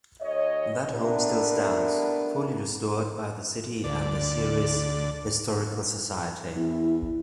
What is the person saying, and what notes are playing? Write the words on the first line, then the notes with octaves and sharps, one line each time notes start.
That home still stands, fully restored by the city and the Ceres Historical Society.
D2 C#5 D#5
A3 B3 D4 E4 G4 A#4
D2 D5
E2 E4